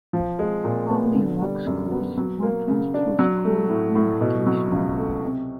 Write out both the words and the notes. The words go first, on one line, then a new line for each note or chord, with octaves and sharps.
Pawnee Rock schools were closed through school unification.
F3
G#3
A#2
B3
D3
G3
F#2
B3
F#3
A#3
C#3
D4
F#3
A3
A2
A2
B2
F#3
C#2
A3
C3